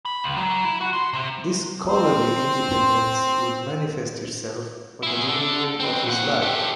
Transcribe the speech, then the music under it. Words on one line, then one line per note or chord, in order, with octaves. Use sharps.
This scholarly independence would manifest itself for the remainder of his life.
B5
C#2
F#3
E4
F#4
C6
C3
C4 C6
E4 G#4
D3 A4
C4 B4
A#2 F#5
G4 A4